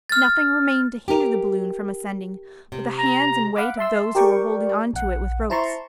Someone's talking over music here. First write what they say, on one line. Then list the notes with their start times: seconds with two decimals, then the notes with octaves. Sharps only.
Nothing remained to hinder the balloon from ascending but the hands and weight of those who were holding on to it with ropes.
0.09 F6 A6
1.08 G4 A#4
2.72 C3
2.97 A#5
3.56 F5 F#5 B5 D6
3.77 E5 A5 C6 E6
4.15 G4 A#4 D5 G5 C#6
4.93 A#1 F#5
5.50 E4 C5 A5 A#5 C6 C#6